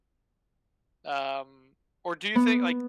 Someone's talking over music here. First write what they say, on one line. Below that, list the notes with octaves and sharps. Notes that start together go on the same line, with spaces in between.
Um, or do you think like,
B3